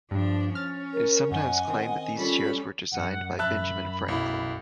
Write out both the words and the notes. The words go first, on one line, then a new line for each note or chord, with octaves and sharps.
It is sometimes claimed that these chairs were designed by Benjamin Franklin.
G2 F3 D4
C#4 F6 A6
A#4
F#2 D#5 F#5 G#5
D#3 C4
G3 C#4 F4 A4 B5
F#2 F#5
F#2 E5 A5 B5 F#6
B1 E4